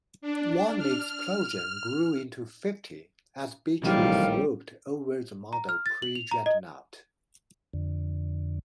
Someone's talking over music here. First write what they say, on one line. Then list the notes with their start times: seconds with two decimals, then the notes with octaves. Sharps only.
One explosion grew into fifty as Beachey swooped over the model predreadnought.
0.21 D4
0.78 F6
3.83 A#1 A2 C3 D#3 E3 F#3 G3 F5
5.53 A#5
5.69 F6
5.86 A6
6.02 F#7
6.15 F7
6.31 A#5
6.46 D#5
7.73 F2 D3